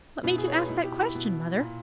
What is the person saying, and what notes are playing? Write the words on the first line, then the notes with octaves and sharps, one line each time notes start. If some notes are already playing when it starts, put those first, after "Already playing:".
"What made you ask that question, Mother?"
B2 E4
G#4
C#5
B4
D#4
B2 E4
G4
E4
B2
A#2